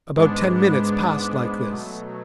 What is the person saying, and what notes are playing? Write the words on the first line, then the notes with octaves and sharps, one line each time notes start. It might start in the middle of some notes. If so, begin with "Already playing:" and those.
About ten minutes passed like this.
G#2 G#3 B3 D4
G#2 G#3 B3 D4
G#2 G#3 B3 D4
G#2 G#3 B3 D4
B2 F#3 A3
B2 F#3